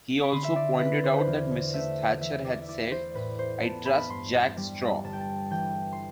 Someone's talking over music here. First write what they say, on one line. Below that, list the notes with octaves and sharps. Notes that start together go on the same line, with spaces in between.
He also pointed out that Mrs Thatcher had said, I trust Jack Straw.
B5
D3 C6
E5
D5
E4 B4
C5
B4
C5
E2
A3 E5
E3 E5
D5
E5
E4 D5
C5
A2 B4
C5
B3 A5
B5
G2 C6
G3
G1 A5
G5
A5
E3 G5
C6